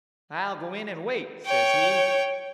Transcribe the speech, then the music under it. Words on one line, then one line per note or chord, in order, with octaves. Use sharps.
'I'll go in and wait,' says he.
C#5 G5